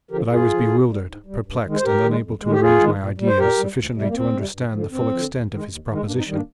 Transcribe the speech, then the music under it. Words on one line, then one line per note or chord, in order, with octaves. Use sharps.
But I was bewildered, perplexed, and unable to arrange my ideas sufficiently to understand the full extent of his proposition.
D3 F3 G4 A#4
G2 F4 G#4
D3 F3
G#2
G3
G#2
G3
G2
D#3 G#3
C5
G2 G4 A#4
D#3 G#3
F2
D#3 G#3
G4
F2 F4 G#4
D#3 G#3
A#2
G3
C5
A#2 G4 A#4
G3
D2
C3 G3
A#3
D2 C4
C3 G3
G2
D3 F3
G2 C4
D3 F3
D#2
D#3 G#3
D#2
D#3 G#3
G2 A#3 D4
C4 D#4
D#3 G3
A#3 D4